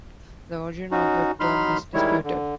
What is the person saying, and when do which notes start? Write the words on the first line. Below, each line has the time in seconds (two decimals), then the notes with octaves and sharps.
The origin of the term is disputed.
0.91 C#4 D#4 F#4
1.40 F#3 D#4 B5 C6 F6
1.94 D#3 G3 G#3 E4 C#5
2.24 D3